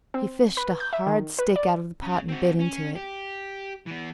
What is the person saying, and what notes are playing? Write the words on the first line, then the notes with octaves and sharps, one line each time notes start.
He fished a hard stick out of the pot and bit into it.
C4
B4
G6
E5
D#3
B4
D5
C#3
C4 F#4
C#4
G4
E3 B3